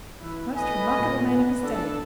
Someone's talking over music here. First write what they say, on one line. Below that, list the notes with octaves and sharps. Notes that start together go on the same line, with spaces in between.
Most remarkable man of his day.
E3 E4 B4
B1 A3 B4 D#5 G#5
A#2
B4
A1 D4 A4